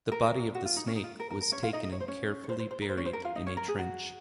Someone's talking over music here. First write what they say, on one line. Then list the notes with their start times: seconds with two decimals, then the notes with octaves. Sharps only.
The body of the snake was taken and carefully buried in a trench.
0.12 A#4
0.55 F#4
0.65 F4
0.76 D#4
0.87 C#4
0.95 D#4
1.04 F4
1.20 A#4
1.31 A#4
1.41 A#4
1.52 C#4 C#5
1.63 F4 F5
1.73 D#4 D#5
1.84 D#5
1.92 C#5
2.00 C5
2.08 C#4 C#5
2.44 C#5
2.49 C5
2.59 C5
2.71 C5
2.82 A#4
2.89 C5
2.97 C#4 C#5
3.06 C5
3.13 A#4
3.24 F4 F5
3.35 D#4 D#5
3.47 C#4 C#5
3.57 A#4
3.68 G#4
3.79 F#4